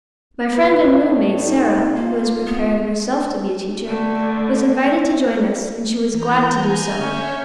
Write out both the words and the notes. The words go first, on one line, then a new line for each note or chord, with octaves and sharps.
My friend and room-mate Sarah, who was preparing herself to be a teacher, was invited to join us, and she was glad to do so.
B4
A2
D#4
A#3 F4
B3
D3 A3
E3 A#5 G6
G#5
D3 C#4 C#5 E5 G6